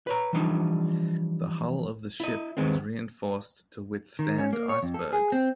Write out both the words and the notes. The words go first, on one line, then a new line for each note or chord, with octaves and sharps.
The hull of the ship is reinforced to withstand icebergs.
B4 C#5 A#5
E3 F3 G3 D4 D#4
E4 D#5
D#2 C3 D#3 G#3 B3 C4
D#3
C#4
A#3
C#5
F2
A4
G#4
C4